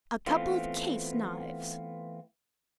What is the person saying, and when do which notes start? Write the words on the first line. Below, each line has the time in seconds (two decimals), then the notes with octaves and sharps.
"A couple of case-knives."
0.27 E3 A3 B3 C4 F4